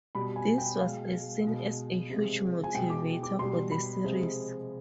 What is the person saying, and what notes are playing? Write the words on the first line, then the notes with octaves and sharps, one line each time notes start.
This was a seen as a huge motivator for the series.
B2 G3 B5
G#5
G5
B2 G#3 F5
B2 G#3
C3 F3 G#3
G#5
B2 G#3 G5
D6
D6
B2 G3 C6
B5
C3 F3 G#3